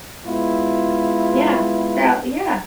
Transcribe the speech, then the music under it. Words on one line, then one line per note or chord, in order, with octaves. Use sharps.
yeah, so Yeah,
G#3 B3 E4 F4